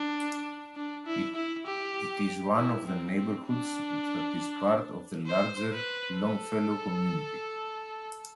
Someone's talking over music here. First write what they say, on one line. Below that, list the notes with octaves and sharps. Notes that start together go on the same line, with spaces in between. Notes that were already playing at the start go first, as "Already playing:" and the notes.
It is one of the neighborhoods that is part of the larger Longfellow community.
Already playing: D4
D4
E4
E4
G4
E4
C4
C4
D4
C5
B4
A4